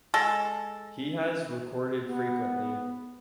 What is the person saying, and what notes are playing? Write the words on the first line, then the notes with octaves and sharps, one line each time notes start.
He has recorded frequently.
G#3 A4
B3